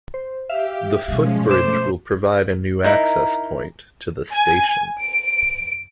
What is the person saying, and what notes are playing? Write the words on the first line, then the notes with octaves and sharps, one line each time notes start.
The footbridge will provide a new access point to the station.
C5
G4 E5 F5
B2 F3 G3 G#3 C#4
A3 C5 D6 E7
D#4 E4 A#4
G#5
D7